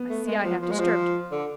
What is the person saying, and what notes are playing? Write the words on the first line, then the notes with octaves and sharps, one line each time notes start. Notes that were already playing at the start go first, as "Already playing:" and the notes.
I see I have disturbed you.
Already playing: B3
A3
G#3
F3
F3
G#3
F3
D3